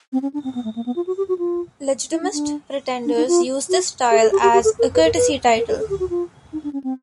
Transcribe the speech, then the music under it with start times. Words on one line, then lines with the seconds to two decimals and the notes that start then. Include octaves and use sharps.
Legitimist pretenders use this style as a courtesy title.
0.13 C4
0.22 C#4
0.34 D4
0.44 C4
0.55 B3
0.64 A3
0.76 A#3
0.86 B3
0.96 F4
1.07 F#4
1.17 G4
1.29 F#4
1.39 F4
2.12 E4
2.22 D4
2.33 D4
3.06 D4
3.17 D#4
3.28 F4
3.69 F#4
4.11 G#4
4.22 A4
4.32 G4
4.43 G4
4.53 G4
4.64 A4
4.79 A#4
4.95 B4
5.05 A#4
5.16 B4
5.58 A#4
5.69 A4
5.79 A4
5.90 G4
6.00 F#4
6.10 F4
6.53 D#4
6.64 D4
6.73 C#4
6.84 C4